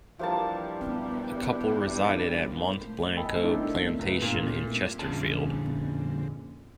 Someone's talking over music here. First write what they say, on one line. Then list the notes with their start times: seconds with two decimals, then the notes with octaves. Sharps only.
The couple resided at Mont Blanco plantation in Chesterfield.
0.19 G2 E3 F3 G3 A#3 A5
3.16 A4 D#5 G5 G#5 B5
3.43 D#3 C4 D4 E4 A4
3.99 C#2 B4
4.22 A#2
4.99 F2 A#2 D3 C#4 G#4 A5